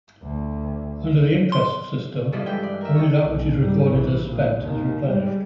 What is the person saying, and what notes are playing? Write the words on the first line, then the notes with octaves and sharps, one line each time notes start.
Under the imprest system, only that which is recorded as spent is replenished.
D2
C6
G2 E3 F3 A4 D5 D#5
G2 G#3 B4 G5 G6
D5
A#4 E5
C#5 D#5 G5 A5
B1
G#2 G3
A#1 E3
A#2
D#2 D#3
G3 G#3